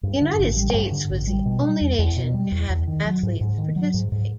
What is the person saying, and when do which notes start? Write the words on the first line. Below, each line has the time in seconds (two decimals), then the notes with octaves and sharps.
The United States was the only nation to have athletes participate.
0.03 G2
0.21 D3
0.39 A1
0.56 G3
0.74 G2
0.92 D3
1.10 A1
1.27 G3
1.46 B2
1.63 G3
1.81 E2
1.99 E2
2.16 B2
2.34 G3
2.52 E2
2.70 E2
2.87 D#3
3.05 F#3
3.23 G#2
3.41 G#2
3.58 D#3
3.76 F#3
3.94 G#2
4.12 G#2